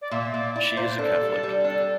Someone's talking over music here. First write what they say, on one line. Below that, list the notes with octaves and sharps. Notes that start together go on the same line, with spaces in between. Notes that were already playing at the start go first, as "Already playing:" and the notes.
She is a Catholic.
D5
A#2 E5
A#2 D5
E4 D5
A#2 C5
D4 A4
G3
G3
D4